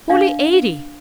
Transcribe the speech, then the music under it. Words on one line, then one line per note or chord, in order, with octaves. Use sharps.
"Fully eighty."
D4 F5